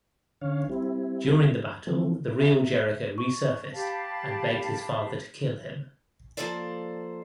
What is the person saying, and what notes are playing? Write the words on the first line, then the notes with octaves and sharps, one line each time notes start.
During the battle, the real Jericho resurfaced and begged his father to kill him.
D3 C#4 C#5 F5
G3 C4 E4
E3 F3 A3 C4
E5
C#6
G4 F5 A5 B5
F3 G#3 A#3 A4 C5 D5